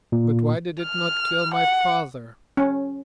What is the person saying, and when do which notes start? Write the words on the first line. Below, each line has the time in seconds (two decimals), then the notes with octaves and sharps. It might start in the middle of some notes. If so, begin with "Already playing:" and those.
"But why did it not kill my father?"
0.12 A#2
0.83 F6
1.55 F#5
2.57 C#4